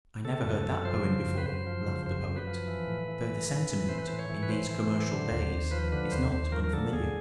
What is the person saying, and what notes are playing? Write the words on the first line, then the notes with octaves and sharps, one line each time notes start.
"I never heard that poem before," laughed the Poet, "though the sentiment in these commercial days is not unfamiliar."
C#3 A4
F#2
F#2
F3 C5
C#3
F#2
B4
F#2 C5
F3
C#3
F#2 C5
F#2
B4
F3
E3
A2
E3
A2
E3
A2
E3 C5
B4
A2 C5
C#5
E3
B4
A2 C5
E3
A2
D3
D#2
D#2
F3 B4
D3 B4
D#2 C5
D#2 C5
F3 A#4
A#4
D3 A4
D#2 G#4